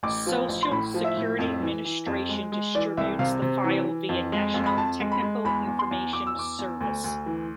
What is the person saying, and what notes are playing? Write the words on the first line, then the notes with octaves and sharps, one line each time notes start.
Social Security Administration distributes the file via National Technical Information Service.
A1 D6
F3
A1
C6
A2 B5
F3
E5
A2
F2
E3
E3
F2
G#3
G#3
E3 D5
C2 E5
C3 F5
C3
E3
E3
F2
G#3
F2
B5
F2 A5
G#3
B5
G#3
E2 B5
E2
C6
E2
E2 D6
E6
E2 D6
E2
D2
D2
E3